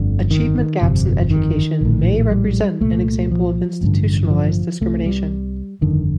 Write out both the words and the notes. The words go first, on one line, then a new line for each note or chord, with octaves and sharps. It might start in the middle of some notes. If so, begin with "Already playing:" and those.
Achievement gaps in education may represent an example of institutionalized discrimination.
Already playing: G1 F2 D3
D#3
G1 F2 C3
D#3
A#1 A2
G3
C2 A#2 A3
F3
A1 G2 D3
F3
C2 C3 A3
G3
G1 F2 D3 D#3